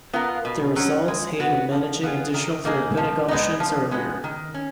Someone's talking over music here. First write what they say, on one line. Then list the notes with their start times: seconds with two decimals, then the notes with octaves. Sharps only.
The results aid in managing additional therapeutic options earlier.
0.13 B3 F4 A#4
0.45 B2
0.76 F#3 C#4
1.08 G#3
1.40 B3 F#4
1.72 F3
2.03 B3 F4 G#4
2.34 D#3
2.65 A#3 D#4 G#4
2.97 F3
3.28 G#3 B3 D#4
3.60 F3
3.91 G#3 B3
4.24 D#3
4.54 C#4